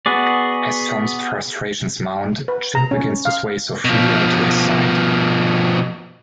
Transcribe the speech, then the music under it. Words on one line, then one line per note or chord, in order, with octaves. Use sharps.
As Tom's frustrations mount, Chip begins to sway Sofia to his side.
B3 F#4 G#4 D5
B4
A#5
C#4
F5
B2 F3